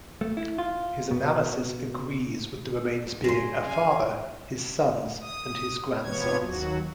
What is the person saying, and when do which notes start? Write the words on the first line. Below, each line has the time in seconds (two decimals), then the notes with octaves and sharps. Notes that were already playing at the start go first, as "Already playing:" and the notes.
His analysis agrees with the remains being a father, his sons and his grandsons.
0.21 A3
0.37 E4
0.58 F4
1.11 B2
3.24 G2 F#3 F4 G#4 C6 A#6
3.67 C#4 F5 G#5
5.21 D#6
6.03 C3 F3 B3 C#5 G#6
6.42 D#2 F#3 F#4